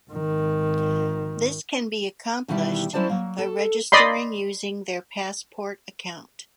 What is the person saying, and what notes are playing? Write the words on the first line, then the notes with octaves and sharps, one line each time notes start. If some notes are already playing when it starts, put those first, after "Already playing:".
This can be accomplished by registering using their Passport account.
G#1 D#3
B2 D#3 E3 G3 E4 G4
F#3 C#4 E4 C5 D5 A5
F#3 A#3
A4
D5 D#5 B5 C6